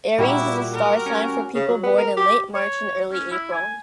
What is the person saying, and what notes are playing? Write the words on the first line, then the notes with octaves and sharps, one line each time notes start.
Aries is a star sign for people born in late March and early April.
A#2 G3 E4 F#4
A#4
C#4
C#3
F#3
B3
A#4
G4
C#5
C#4
E4
G#5